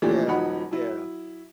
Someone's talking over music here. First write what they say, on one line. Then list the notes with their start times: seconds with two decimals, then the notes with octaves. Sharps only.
Yeah. Yeah.
0.02 A#2 E3 F3 A3 D4 G4
0.27 D#1 F3 F#3 D#4 F#5 B5
0.71 F#3 E4